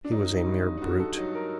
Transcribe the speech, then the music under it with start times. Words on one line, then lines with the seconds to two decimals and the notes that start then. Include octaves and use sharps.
He was a mere brute.
0.04 D4
0.11 F#3 D#4
0.35 D#4
0.46 G2
0.58 D#4
0.77 D#4
0.81 G2 F#4
0.99 A4
1.17 F#3 D#4
1.35 A#4